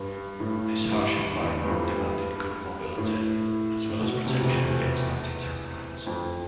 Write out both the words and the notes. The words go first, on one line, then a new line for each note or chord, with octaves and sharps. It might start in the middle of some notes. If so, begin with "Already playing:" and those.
This harsh environment demanded good mobility as well as protection against anti-tank mines.
Already playing: G2
A2
G2
E2
E2
G2
F2
G2
A2
A2
B2
B2
C3
F2
E2
F2